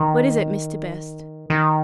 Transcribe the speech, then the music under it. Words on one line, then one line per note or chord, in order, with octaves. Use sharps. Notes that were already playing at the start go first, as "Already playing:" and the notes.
"What is it, Mr. Best?"
Already playing: D#3
D#3